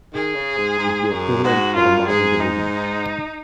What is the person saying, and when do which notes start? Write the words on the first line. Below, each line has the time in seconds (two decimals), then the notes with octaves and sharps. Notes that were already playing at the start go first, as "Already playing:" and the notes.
It is the equivalent of a modern Division.
0.14 D#3 G#4
0.35 C#3
0.57 G#2
0.78 G#2
1.11 F#2
1.43 G#2 F#4
1.75 F#2 F4
2.08 G#2 G#4
2.40 D#4